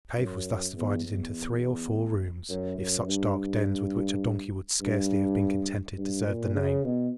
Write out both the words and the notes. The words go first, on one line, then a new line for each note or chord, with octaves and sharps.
The cave was thus divided into three or four rooms, if such dark dens with which a donkey would scarcely have been contented deserved the name.
F#2
E2
E2
F#2
F#2
G2
G2
G2
A#2
C#3
B2